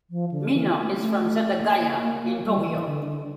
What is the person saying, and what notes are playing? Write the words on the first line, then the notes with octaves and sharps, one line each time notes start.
Mino is from Setagaya in Tokyo.
F3
D3
E3
A#3
A3
G3
A3
A#3
A#3
A#3
A#3
G3
E3
D3
D3